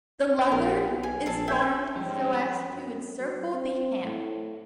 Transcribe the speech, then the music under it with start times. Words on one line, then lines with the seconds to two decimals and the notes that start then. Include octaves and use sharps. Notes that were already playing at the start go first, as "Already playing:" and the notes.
The leather is formed so as to encircle the hand.
0.52 A#1 A#4
0.87 B1
1.03 G#5
1.26 A#1 G#4 A4 A5
1.48 E5 G5 G#5
1.96 G#2 F3 G3 C#4 G5
2.68 F#2
3.18 F#3
3.53 C4
4.04 A2